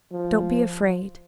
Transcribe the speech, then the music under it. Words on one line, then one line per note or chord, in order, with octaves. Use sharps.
'Don't be afraid.
F3